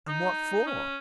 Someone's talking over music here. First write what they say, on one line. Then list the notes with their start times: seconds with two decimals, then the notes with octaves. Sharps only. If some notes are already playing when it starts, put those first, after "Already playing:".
"And what for?"
0.08 D#4
0.67 C#4